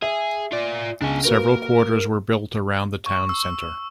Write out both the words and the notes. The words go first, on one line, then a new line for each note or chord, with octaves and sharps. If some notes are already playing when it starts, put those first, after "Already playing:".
Several quarters were built around the town centre.
G#4 E5
F4 D5
C#2 D4 G#5
A#3 F#4 A#4 B4
C#6
E6